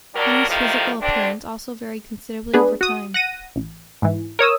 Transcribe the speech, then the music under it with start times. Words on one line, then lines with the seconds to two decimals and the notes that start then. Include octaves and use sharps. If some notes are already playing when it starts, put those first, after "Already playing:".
Honey's physical appearance also varied considerably over time.
0.15 F#3 G3 D4 A#4
0.49 A2 C3 D#3 F3
1.01 D2 C4 D4
2.54 B3 D4 G#4 B4
2.81 F#4 D#6
3.14 F#5 A#6 D#7
3.56 A1
4.02 G#2 E3
4.39 A#4 C#5 D#6 E6